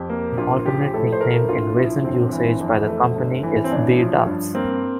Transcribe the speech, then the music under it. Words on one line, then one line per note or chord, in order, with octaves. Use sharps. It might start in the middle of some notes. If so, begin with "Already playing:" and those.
An alternate nickname in recent usage by the company is B-Dubs.
Already playing: F2 G4
A#3
A#1 F4
F3 G4
A2 A4
C5
A3 A#4
A#1 F4
F3 E4
G1 C4
E3
F2
A3
G1
E3
C4
A1 D4
F3
G2
A#3 C4